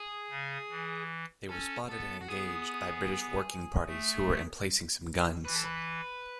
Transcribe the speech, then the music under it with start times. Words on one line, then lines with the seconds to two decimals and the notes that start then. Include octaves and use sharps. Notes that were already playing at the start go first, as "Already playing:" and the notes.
They were spotted and engaged by British working parties who were emplacing some guns.
Already playing: G#4
0.30 C#3
0.70 E3
1.49 C#4 A4
1.89 B3 A4
2.21 F#4
2.28 B3 G#4
3.87 A3
5.45 E3 B4
5.55 A4
5.65 B4